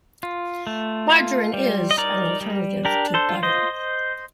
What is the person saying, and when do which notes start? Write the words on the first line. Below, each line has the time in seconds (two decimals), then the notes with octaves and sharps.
Margarine is an alternative to butter.
0.23 F4
0.67 A3
1.10 F4
1.54 G3
1.91 D#5
1.97 D#4 A#4 D5
2.41 G3
2.85 D4 G4 A#4
3.14 A4 C5
3.29 F4
3.43 C5 D#5